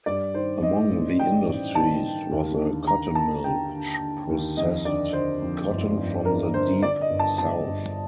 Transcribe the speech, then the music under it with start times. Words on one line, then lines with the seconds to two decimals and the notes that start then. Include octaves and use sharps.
Among the industries was a cotton mill, which processed cotton from the Deep South.
0.06 G2 D5
0.34 D#3 C5
0.62 D#3 D#5
0.90 A1
1.19 D#3 G5
1.48 A1
1.75 D#3 A5
2.03 D#3
2.32 D#2
2.59 D3
2.87 D3 A#5
3.15 D3 A5
3.44 D3 G5
3.73 D3
4.01 D3
4.29 D#2
4.57 F2 D#5
4.85 D3 D5
5.13 D3 C5
5.42 F2
5.70 G1
5.97 F2
6.25 D3 A#4
6.54 D3 C5
6.82 D3 D5
7.01 D#5
7.10 G1
7.19 A5
7.38 G1 A5
7.66 G1